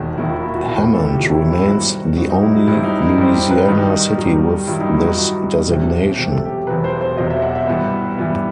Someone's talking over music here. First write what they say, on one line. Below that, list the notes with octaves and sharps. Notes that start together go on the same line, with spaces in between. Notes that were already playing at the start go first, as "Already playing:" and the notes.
Hammond remains the only Louisiana city with this designation.
Already playing: E1 D#2 D#3 F#4
E1 D#2 D#3 E4
F#4
E4
F#4
E1 D#2 D#3
A4
G4
E1 D#2 D#3 F#4
E4
E4
G2 F#3 C4 F#4
G2 F#3 C4 F#4
D#4
E4
F#4
G2 F#3 C4 E4
D#4
E4
G2 F#3 C4
G4
B4
G2 D#3 F#3 D#4
G2 D#3 F#3
G2 D#3 F#3 E4
D#4
E4
F#4
G2 D#3 F#3 F#4
E1 E2 C3 F#3
E1 E2 C3 F#3 G4
A4
G4
E1 E2 C3 F#3 B4
C5
C5
E1 E2 C3 F#3 D#5
E5
F#5
E5
G2 E3 B3
G2 E3 B3